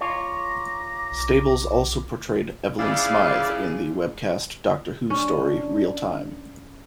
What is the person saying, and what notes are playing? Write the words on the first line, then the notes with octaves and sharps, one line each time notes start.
Stables also portrayed Evelyn Smythe in the webcast "Doctor Who" story "Real Time".
F4 C#5 A#5 D6
B1
C#3 F3 G#3 E4 D5 F5
C#4 D4